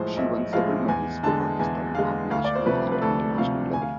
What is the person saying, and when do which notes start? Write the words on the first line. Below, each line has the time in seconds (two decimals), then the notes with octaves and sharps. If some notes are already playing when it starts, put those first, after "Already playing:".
She won several medals for Pakistan at national and international level.
Already playing: B1 A2 F3 G#3 C5
0.17 B1 E5
0.53 A2 F3 G#3 F5
0.88 E2 G#5
1.23 D3 G#3 A5
1.59 E2 G#5
1.95 D3 G#3 F5
2.30 D2 F5
2.44 D5
2.55 C5
2.66 C3 F3 A3 B4
2.92 B4
3.02 D2 A4
3.37 C3 F3 A3 F5
3.73 D2 G#5
3.82 F5